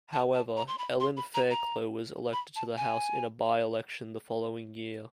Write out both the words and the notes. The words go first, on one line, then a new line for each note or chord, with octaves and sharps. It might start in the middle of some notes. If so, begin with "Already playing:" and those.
However, Ellen Fairclough was elected to the House in a by-election the following year.
A5
A5
A#5
C6
B5
C6
B5
A#5
A#5
B5
A5
G#5